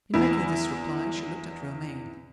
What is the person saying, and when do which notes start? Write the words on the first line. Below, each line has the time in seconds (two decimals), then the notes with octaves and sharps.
In making this reply, she looked at Romayne.
0.14 E2 E4